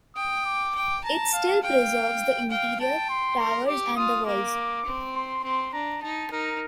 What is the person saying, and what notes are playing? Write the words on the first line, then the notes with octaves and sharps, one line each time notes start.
It still preserves the interior, towers and the walls.
G5 D#6
D6
G5
A5 A#5
F5
F5 G5
F5 G5
G5 A5
C6
A#4
G4 D6
F4 D#6
A#3 D6
C4
C6
C4 C6
D4 A#5
D#4 A5
D#4 A#4